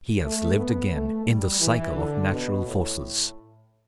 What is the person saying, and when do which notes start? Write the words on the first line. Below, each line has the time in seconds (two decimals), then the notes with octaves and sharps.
He has lived again in the cycle of natural forces.
0.22 A3
0.56 B3
0.91 A3
1.25 G3
1.60 E3
1.95 D3
2.29 B2
2.64 A2